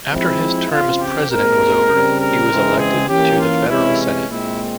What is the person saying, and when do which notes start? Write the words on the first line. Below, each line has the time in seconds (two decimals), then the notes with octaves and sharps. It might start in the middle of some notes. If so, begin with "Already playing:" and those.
After his term as President was over, he was elected to the federal senate.
0.11 F3 G#3 C4 E4
0.70 C#3 F3 C4 F4
1.00 G4
1.30 A#2 G#3 C4 A#4
1.89 C#3 G3 C4
2.19 A#4
2.50 C#3 E3 G#3 C4
2.79 G#4
3.09 E3 A#3 C#4 G4
3.39 F4
3.68 C3 E3 G#3 C#4 E4
3.98 C#4
4.28 A#2 G#3 C4 E4